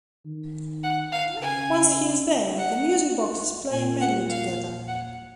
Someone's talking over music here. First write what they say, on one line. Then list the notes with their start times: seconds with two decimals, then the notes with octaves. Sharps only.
Once he is there, the music boxes play a medley together.
0.25 D#3
0.83 F#5
1.12 F5
1.41 C#3 G#5
2.56 F#5
3.72 A#2 G#5
4.01 F#5
4.30 F5
4.88 F#5